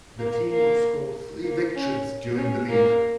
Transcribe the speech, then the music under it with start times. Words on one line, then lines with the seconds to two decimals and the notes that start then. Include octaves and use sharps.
The team would score three victories during the league.
0.19 A#3
0.50 A#3
1.44 A#3
1.75 C#4
2.38 C#4
2.69 A#3